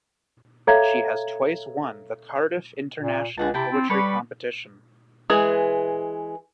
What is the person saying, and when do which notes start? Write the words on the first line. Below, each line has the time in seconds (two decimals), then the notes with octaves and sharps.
She has twice won the Cardiff International Poetry Competition.
0.67 A4 C#5 E5 F5 A#5 G#6
3.00 A#2
3.37 C#2 G#4 F#5 A5
3.54 C3 E4 G5 A5
3.71 C4
3.90 G3 A4 B4 C#5
5.30 E3 G#3 G#4